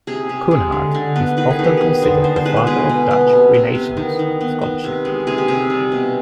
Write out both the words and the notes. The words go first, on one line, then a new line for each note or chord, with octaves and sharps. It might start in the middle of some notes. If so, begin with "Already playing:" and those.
Coornhert is often considered the Father of Dutch Renaissance scholarship.
C3 G#4
C3
G#3
D3
D3
B3
D#3 B4
G#4
D#3
G4
B3 G#4
D3 C5
D3 C5
C5
G#3 B4
B4
B2 G#4
B2
B3
C3
C3
B3
D#3
D#3
B3
B3
C3
G#3
C3 G#4
G4
C3 G#4
G3
B2